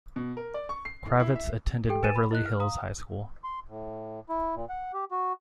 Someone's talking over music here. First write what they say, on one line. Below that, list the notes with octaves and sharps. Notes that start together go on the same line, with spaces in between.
Kravitz attended Beverly Hills High School.
B2
A#4
D5
C#6
C7
D1
E4
E5
G4 A4 G5
B4 G#5 A6 D#7 E7
B5
E4 D#5 F#6
F6
F5 A#5 D#6
C6
A2
E4
A#2
F#5
G4
F#4